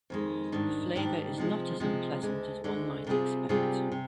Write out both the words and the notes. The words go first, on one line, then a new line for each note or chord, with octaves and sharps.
The flavor is not as unpleasant as one might expect.
F2 D#3 G#3
G#2 D#3 G3 D4
G#2 D#3 G3 D4
C3 F3 G#3
C3 F3 G#3
D2 D3 G#3
D2 D3 G#3
C3 G3 C4 F4 G#4
C3 G3 C4 F4 G#4
C3